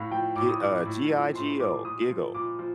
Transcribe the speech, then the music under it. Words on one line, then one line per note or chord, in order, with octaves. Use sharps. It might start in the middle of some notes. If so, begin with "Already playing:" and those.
g uh, G-I-G-O, GIGO.
Already playing: A2 F5
F3 G5
A2 D6
D#6
F3 D6
A2
F3
A2 C6
F3 D6
A#2 D#6
F3
A#2 D6
F3